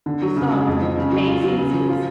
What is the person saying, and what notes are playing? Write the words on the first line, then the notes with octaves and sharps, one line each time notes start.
The song Hey Scenesters!
D3
F#3
C#3
G#3
F2
F3
C#3
F#3
F4
F#3
C#3
F3
F4